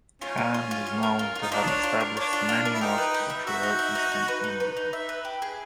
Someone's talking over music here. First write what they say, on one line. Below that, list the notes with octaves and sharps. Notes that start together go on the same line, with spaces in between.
Khan was known to have established many mosques throughout Eastern India.
C#4 F4
F4
F4
F4
F4
A#4
F4
F4
D#4
D4 F4
C#5
F4
A#4
D4 C#5
F4
F4
A#4
E4
D#4 G4
B4
G4
E5
F#4 E5
D#4
E5
D#4
D#4
B4
D#4
B4
D#4
E5
B4
G4
G#4